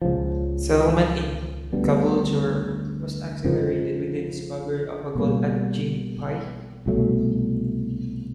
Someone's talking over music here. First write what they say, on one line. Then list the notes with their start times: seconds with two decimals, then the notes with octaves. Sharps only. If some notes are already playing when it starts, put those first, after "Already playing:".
Settlement in Caboolture was accelerated with the discovery of gold at Gympie.
0.02 C#2 C#3 F3
1.73 D2 D3 G3 B3
3.44 F2 C#3 F3 G#3
5.15 B2 G3 A#3
6.86 C2 B2 F#3 A3